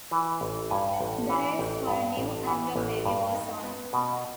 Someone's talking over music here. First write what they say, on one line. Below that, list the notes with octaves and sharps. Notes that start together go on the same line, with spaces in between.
The race for a new Angam Baby was on.
E3
A1
G2 G#5
F#5
A1 G5
E3 F5
A1 G5
G2
A1 G5
E3 G#5
A1
G2
D#4
B3
B2